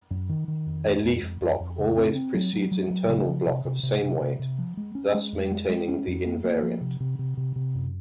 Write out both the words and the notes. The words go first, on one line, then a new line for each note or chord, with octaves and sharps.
A leaf block always precedes internal block of same weight, thus maintaining the invariant.
F#2
D#3
D#3
F2
G#3
F2
F2
F2
F2
C#3
C4
C4
F#3
F#3
F#3
F#3
C#3
F3
C3
C3
C3
C3
C3
C3
F3
G#3
C#4
G#3
F2
G#3
G#3
C#4
F2
A#3
A#3
F3
C3
C3
C3
C3
C3
F#2